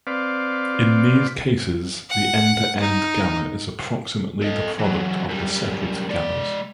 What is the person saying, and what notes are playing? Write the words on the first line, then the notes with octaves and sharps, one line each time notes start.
In these cases the end-to-end gamma is approximately the product of the separate gammas.
C4 B4 D5 F5
F#5
D#4
A4 D#5
E3 F#3
F#2 G3
G#3 D5